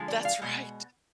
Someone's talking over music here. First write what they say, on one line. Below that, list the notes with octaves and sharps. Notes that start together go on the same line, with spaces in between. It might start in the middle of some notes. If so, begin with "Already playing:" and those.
That's right.
Already playing: D3 F3 G#3
D5
F5
B2 G#3 F#5